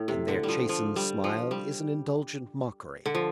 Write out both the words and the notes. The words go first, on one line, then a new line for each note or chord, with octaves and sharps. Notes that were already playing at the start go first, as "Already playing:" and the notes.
In their chastened smile is an indulgent mockery.
Already playing: A2
C3
D3
F3 G3
F3
G3
F3
G3
D3
F3